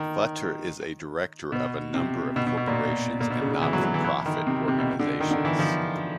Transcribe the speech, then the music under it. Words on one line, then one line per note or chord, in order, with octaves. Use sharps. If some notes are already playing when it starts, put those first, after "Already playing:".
Futter is a director of a number of corporations and not-for-profit organizations.
Already playing: D#3
B2
C3
B2
B2
B2
A#2
A#2
B2
C#3
C#3
E3
F#3
F#3
E3
E3
D#3
C3
C3
B2
D3
D#3
D3
E3
F3